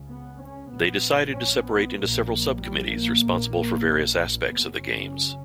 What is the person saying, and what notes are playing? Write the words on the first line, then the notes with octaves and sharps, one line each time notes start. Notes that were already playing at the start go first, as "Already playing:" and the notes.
They decided to separate into several sub-committees responsible for various aspects of the Games.
Already playing: C#2 C#3
B3
C#4
A#1 A#2 B3
C#4
B3
A#1 A#2 A#3
G3
A#3
A#1 A#2
F#1 F#2 C#3 B3
C#4